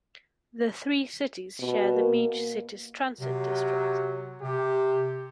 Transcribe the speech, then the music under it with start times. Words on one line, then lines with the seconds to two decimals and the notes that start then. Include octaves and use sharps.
The three cities share the Beach Cities Transit district.
1.60 B2
1.93 A#3
3.21 C3 F#3
4.42 C3 G4